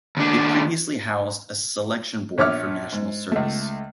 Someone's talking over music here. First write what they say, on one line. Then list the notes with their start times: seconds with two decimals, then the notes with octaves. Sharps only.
It previously housed a selection board for National Service.
0.17 D#2 D4
2.38 A#1 C#5 E5 D6 F6
2.92 G#2
3.32 C#2 A3